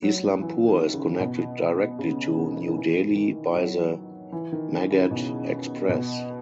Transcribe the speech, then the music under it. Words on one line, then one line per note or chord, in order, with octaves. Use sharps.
Islampur is connected directly to New Delhi by the Magadh Express.
F#3
E3
D#3
C#3
B2
C#3
D#3
D#3
E3
D#3
F#3
E3
D#3
D#3
C#3
B2
B2